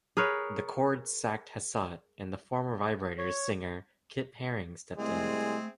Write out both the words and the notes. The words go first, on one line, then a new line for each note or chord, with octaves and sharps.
The Chords sacked Hassett, and the former Vibrators' singer Kip Herring stepped in.
G#4 A#4 B4 C#5
C#5
C2 G#3 A3 C4 G#4